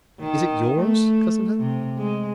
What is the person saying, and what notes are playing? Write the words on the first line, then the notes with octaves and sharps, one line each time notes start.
"Is it yours, Cousin Helen?"
D#3
A3
C3
G#3